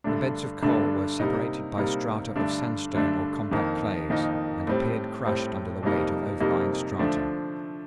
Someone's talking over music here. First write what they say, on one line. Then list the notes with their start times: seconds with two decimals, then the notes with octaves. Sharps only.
The beds of coal were separated by strata of sandstone or compact clays, and appeared crushed under the weight of overlying strata.
0.04 G2 D3 A3 D4
0.62 G2 D3 A3 D4
1.19 C3 G3 A#3 D#4
1.78 C3 G3 A#3 D#4
2.36 G2 D3 A3 D4
2.94 G2 D3 A3 D4
3.51 F2 D#3 A#3 D#4
4.10 F2 D#3 A#3 D#4
4.67 A2 G3 C4
5.26 A2 G3 C4
5.83 F2 C3 G3 A#3 D#4
6.40 F2 C3 G3 A#3 D#4
6.99 D3 F3 A3 D4